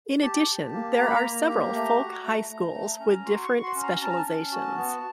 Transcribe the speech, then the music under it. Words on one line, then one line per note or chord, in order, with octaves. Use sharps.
In addition, there are several folk high schools with different specialisations.
G4 A5
G4
A#3
A#3 A#5
B5
A#5
A#3
G4
A3
F#4
A3
A3
A3
C#4
F#4 C6
C#6
F#4
C6
C#4
A#5
C#4 A5
A#5
A5
C#4
F#4
B3